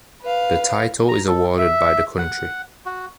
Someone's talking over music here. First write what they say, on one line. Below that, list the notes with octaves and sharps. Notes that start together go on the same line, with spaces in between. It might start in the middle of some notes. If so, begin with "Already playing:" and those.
The title is awarded by the country.
B4 F5
A#5
A4
E5
F#5
F#4